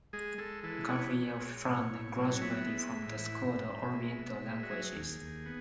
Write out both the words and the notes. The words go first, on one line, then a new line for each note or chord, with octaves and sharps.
Gabriel Ferrand graduated from the School of Oriental Languages.
G#3 G#4
G#3 A4
E3 A4
B3 C#5
B3
G#3
A2
A2
F#3
B3 E5
G#3
A2
E3
G#2
G#2
G#3
B2
G#3
F#4
F#3 G#4
D#2
D#2
B3